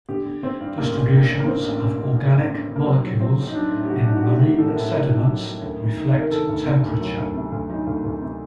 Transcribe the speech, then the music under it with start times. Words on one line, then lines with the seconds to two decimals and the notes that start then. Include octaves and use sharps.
Distributions of organic molecules in marine sediments reflect temperature.
0.09 D3 G4
0.26 D3
0.43 D3 C4
0.60 G2
0.78 A1 A#3
0.96 A1
1.13 D3
1.30 A1
1.40 A#3
1.47 D3 C4
1.64 A1
1.82 A1
1.99 A1
2.16 A1
2.33 A1
2.51 D3
2.69 D3
2.76 A#3
2.85 F#3 C4
3.03 F#3
3.20 A1 C4
3.37 F#3
3.47 D#4
3.54 F#3 D4
3.72 A2
3.85 G4
3.89 F#3 F#4
4.01 D4
4.07 A1 D#4
4.16 F#4
4.23 A2 G4
4.41 A1
4.58 A2 A4
4.67 A#4
4.76 A2 A4
4.93 A2 A#4
5.11 A1
5.28 F#3
5.45 F#3
5.62 D2
5.79 D#3
5.96 D#3
6.14 C3 A#4
6.31 D#3 A4
6.49 D2
6.66 C3
6.83 D2
7.01 F#3
7.18 D2
7.35 C3
7.52 D2
7.70 F#3 D#4
7.87 D2
8.05 D2
8.22 C3